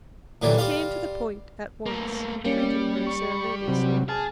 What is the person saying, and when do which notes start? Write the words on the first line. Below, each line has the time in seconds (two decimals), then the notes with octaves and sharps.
He came to the point at once, treating her ceremoniously.
0.42 A#2 D3 E3 F#3 G3
0.58 G3 F4 F5
1.86 A3 A#3
2.45 G3 A#3 C#4 C#7
3.07 C#6
3.31 B5
3.68 C3 F#3
4.09 G#4 A5 F6